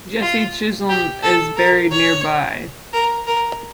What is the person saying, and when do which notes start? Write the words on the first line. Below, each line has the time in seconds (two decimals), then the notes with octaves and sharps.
Jesse Chisholm is buried nearby.
0.21 F4
0.89 G4
1.23 A4
1.57 A#4
1.91 C#5
2.93 A#4
3.27 A#4